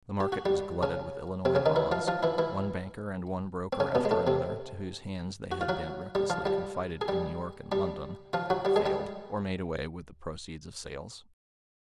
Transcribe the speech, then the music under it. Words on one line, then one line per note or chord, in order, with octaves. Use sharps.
The market was glutted with Illinois bonds; one banker and one broker after another, to whose hands they had been recklessly confided in New York and London, failed, or made away with the proceeds of sales.
G4
F#4
G3 G4
C#3 C#4
C3 C4
C#3 C#4
D#3 D#4
E3 E4
F3 F4
F3 F4
E3 E4
E3 E4
C4
C#3 C#4
B2 B3
G#3
A2 A3
C3 C4
F#4
F4
F#3 F#4
G3 G4
F3 F4
G3 G4
G#4
G3 G4
G3 G4
F3 F4
F#3 F#4
G3 G4
G#3 G#4
G3 G4